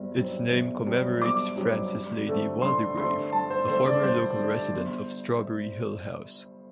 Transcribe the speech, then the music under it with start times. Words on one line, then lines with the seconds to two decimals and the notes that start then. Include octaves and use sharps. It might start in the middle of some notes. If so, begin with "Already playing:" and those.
Its name commemorates Frances Lady Waldegrave, a former local resident of Strawberry Hill House.
Already playing: G1 G2 F#3 C4
0.16 G2 F#3 C4
0.51 G1
0.86 G2 F#3 C4
1.21 G1 D6
1.56 G2 F#3 C4
1.92 G2
2.27 D3 A3 C4
2.62 G2 C6
2.98 D3 A3 C4 C6
3.32 G2 A5
3.50 C5
3.68 D3 A3 C4 C5
3.86 D5
4.03 G2 C5
4.38 D3 A3 C4
4.73 G1